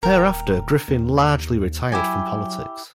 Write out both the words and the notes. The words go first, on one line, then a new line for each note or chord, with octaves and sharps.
Thereafter, Griffin largely retired from politics.
D#1 A#4 G5
D#2
F#3 E4 G4 G#5